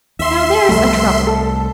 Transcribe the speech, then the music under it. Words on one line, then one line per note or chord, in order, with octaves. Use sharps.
Now, there's a trouble.
D#2 E5 C6
C2 F2 A3
A4